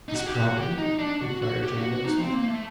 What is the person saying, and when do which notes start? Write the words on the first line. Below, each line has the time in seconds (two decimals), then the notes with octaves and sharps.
'As property?' inquired John Rokesmith.
0.09 D#4
0.14 F#4
0.26 G4
0.35 F#4
0.47 F#4
0.56 G4
0.78 D#4
0.99 D4
1.21 F#4
1.42 F#4
1.63 G4
1.78 F#4
1.92 F#4
2.05 D#4
2.20 C4
2.33 A#3
2.47 A3